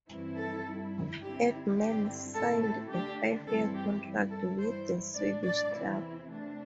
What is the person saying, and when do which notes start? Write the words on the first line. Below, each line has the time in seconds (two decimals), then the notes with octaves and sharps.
Edman signed a five-year contract with the Swedish club.
0.09 G2 E3 C4 E4
0.37 A4
0.65 G2 G3 E4
1.21 D3 C4 E4 G4
1.77 G2 D3 G3 C4 E4 G4
2.33 A2 A3 C4 E4 A4
2.62 A4
2.90 D3 A3 D4 G4
3.46 G2 E3 G3 C4 E4 A4
3.74 G4
4.02 G2 G3 E4
4.31 A4
4.59 G2 E3 G3 E4 C5
5.15 A2 G3 D4 D5
5.43 D5
5.71 E2 C3 E3 C4 E4
6.27 C3 A3 D4